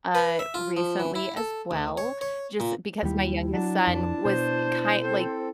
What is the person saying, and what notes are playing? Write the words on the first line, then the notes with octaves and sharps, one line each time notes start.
uh, recently as well just, eh, because my youngest son was, eh, ki like,
B4
E5
F4
F3
E3
E4
A4
D2
C#5
C#5
A#2
D#2 G3 E4
F#3 D4 A5
F2
B2 C5
C4 A4